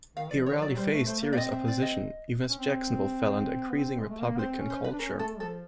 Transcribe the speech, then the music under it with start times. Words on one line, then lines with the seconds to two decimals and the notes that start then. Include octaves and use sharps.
He rarely faced serious opposition, even as Jacksonville fell under increasing Republican influence.
0.16 D#3 F5
0.31 F3 D5
0.46 D#3 C#5
0.62 F#3 D5
0.76 G3 C5
0.91 A3 B4
1.07 A3 C5
1.22 A#3
1.33 D5
1.38 C4 D#5
1.52 E5
1.68 D5
1.82 D#5
2.49 C#4
2.58 C4
3.71 B3
3.79 C4
4.00 G#3
4.10 A3
4.19 A#3
4.39 C4 C5
4.59 C#4
4.70 C5
4.84 B4
4.93 D4
4.99 C#4 A#4
5.19 A3 A4
5.40 F3 A4